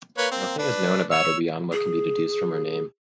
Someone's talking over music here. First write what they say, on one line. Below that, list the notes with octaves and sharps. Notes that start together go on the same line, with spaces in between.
Nothing is known about her beyond what can be deduced from her name.
A#3 B4 C#5
A#3 C4
D4 B4
C#5 E6
G#4